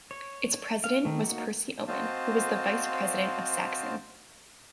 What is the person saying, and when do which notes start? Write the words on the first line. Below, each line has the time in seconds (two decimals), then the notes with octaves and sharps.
Its president was Percy Owen, who was the vice-president of Saxon.
0.11 C#5
0.84 F5
1.05 D#3 A3
1.24 A#3 D#4 F#4
1.87 C4 F#4 C5 D#5 F5 A5